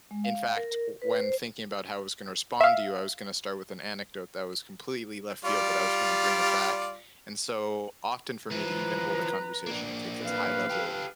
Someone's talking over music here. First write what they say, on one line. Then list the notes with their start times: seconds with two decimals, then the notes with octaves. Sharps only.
In fact, w when thinking about how I was gonna respond to you, I was gonna start with an anecdote that was completely left field, but I was gonna bring it back, and so often for me to even hold a conversation, it takes this high level
0.11 G#3
0.24 F5
0.56 A#4
1.02 B4
1.21 C5
2.61 E5 F5
5.45 G3 F4 D5
8.51 E3 F3 B4 A#5
9.67 A#3 D4
10.24 B4 F5
10.70 G4 A4